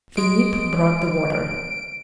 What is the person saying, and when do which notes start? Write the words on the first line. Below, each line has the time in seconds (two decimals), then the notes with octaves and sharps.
Philip brought the water.
0.17 G#3 D7